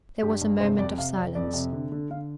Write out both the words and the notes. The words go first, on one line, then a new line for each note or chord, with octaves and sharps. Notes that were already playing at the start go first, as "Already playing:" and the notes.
There was a moment of silence.
G2 G4
G2
C3 C5
F2 D5
C3 F5
F2 D5
F2 D5
C3
D3
D3
D3 F5